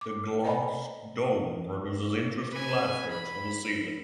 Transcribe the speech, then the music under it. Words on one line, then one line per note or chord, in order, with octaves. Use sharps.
The glass dome produces interesting light effects on the ceiling.
D6
C5 D5 D#5 G#5 A#5 B5
B4 G#5
B5